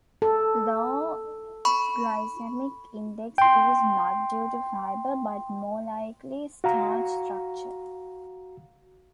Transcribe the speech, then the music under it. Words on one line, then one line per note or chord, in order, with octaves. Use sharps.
Low glycemic index is not due to fiber but more likely starch structure.
A4
B5 C#6
G5 C6
F#4 F5 A#5